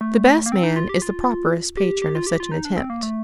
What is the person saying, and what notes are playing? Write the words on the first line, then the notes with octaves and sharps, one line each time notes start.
The best man is the properest patron of such an attempt.
A3
A#3
C4
D#4
F4
G4
F4
G4
G4
F4
G4
F4
D#4
D4
C4
A#3
A3